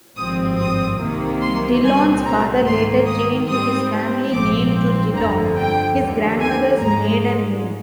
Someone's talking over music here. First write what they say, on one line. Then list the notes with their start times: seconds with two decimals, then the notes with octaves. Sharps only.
Dillon's father later changed his family name to Dillon, his grandmother's maiden name.
0.16 G#1 G2 F3 C4 D#6
0.59 D#6
1.00 C2 C3 D#3 A#3
1.41 C6
1.83 C2 A#2 G3 C4 G#5
2.25 A#5
2.66 G#2 D#3 A#3 C6
3.07 D#6
3.49 G#2 G3 C4 D#6
4.31 A#1 G#2 F3 C4 D6
5.14 G1 F2 D3 F3 A#5
5.57 G5
5.98 D#2 D3 F3
6.40 G#5
6.81 G#2 F3 G#3 A#5